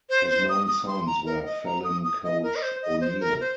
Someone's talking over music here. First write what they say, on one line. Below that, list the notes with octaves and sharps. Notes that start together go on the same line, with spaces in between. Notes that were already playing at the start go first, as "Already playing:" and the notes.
His known sons were Phelim Caoch O'Neill.
C5
C5
D#6
D#6
C6
A#5
A#4
D#5
A#5
D#6
D#6
D#5
A#4
D#5
C5
D#5
C5
A#4
C5